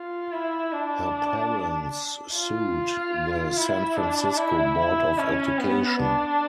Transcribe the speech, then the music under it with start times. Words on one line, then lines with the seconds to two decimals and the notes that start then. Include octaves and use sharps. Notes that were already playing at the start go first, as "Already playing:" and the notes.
Her parents sued the San Francisco Board of Education.
Already playing: F4
0.32 E4
0.72 D4
2.34 F4
3.57 E4
3.97 D4
4.37 E4
4.78 E4
5.18 C#4
5.59 B3
6.00 D4